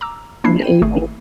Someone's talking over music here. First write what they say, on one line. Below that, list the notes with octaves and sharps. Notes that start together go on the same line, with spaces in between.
And able.
A#5 D6 E6
A#3 D4 E4 C7
G5 D#7
G#1 A3 G#4